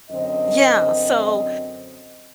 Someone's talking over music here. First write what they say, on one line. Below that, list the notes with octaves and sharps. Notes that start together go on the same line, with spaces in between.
Yeah, so,
F#2 D3 C4 D#5